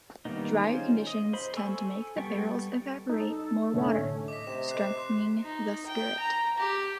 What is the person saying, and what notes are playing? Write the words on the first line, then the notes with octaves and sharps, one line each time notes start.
Drier conditions tend to make the barrels evaporate more water, strengthening the spirit.
D#3 G3 A#3 B3 D#4
C#4 D#4 F4 G#4 C5
D#5
C5 B5
A4 G#5 C#6 E6
G3 B3 A4 G5 C#6
D#4 A4
C2 A2 D3 A3 C#4
D#5 D6 B6
C3 E7
F#6 C7
C6
D#4
G5
A#5
G4